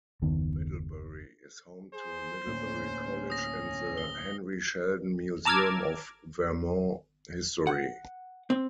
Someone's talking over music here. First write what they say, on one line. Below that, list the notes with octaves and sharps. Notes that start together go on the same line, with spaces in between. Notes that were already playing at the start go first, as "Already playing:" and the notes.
Middlebury is home to Middlebury College and the Henry Sheldon Museum of Vermont History.
F#1 D#2 D#3 B3
G#4 C5
D2 A2 A#3 C#4
D#6 A#6
G7
A5 A#5 D6 E6 F6 G#6
F#5
C4